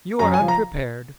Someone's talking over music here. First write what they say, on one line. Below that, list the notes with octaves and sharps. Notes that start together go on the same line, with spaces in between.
You are unprepared.
F#2 A#5
G#5
F3
A#5